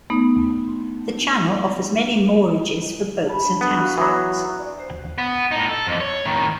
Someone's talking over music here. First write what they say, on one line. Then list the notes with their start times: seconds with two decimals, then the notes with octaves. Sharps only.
The channel offers many moorages for boats and houseboats.
0.10 A3 B3 D#4
3.26 A5 B5
3.61 B3
3.80 F#4 F5
3.98 E3 F#3 B3
5.18 B3
5.51 A2 D#4
5.69 A4
5.87 F2 E3
6.01 C#5
6.25 A2 D#3